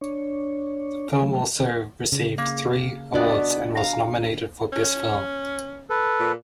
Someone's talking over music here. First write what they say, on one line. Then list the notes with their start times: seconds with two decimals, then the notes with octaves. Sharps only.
The film also received three awards and was nominated for "Best Film".
0.01 D4 C#5
1.22 F#3 A3
2.12 C#3
2.38 A#3
3.14 B3 D4 F#4 D5 D#5
3.77 F5 A#5
4.72 C#4
5.90 A4 B4
6.19 A#2